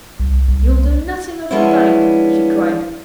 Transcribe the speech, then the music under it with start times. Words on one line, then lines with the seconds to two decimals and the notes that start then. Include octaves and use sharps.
"You'll do nothing of the kind!" she cried.
0.20 C2
0.48 C2
1.51 F3 G#3 B3 C#4 D4 E4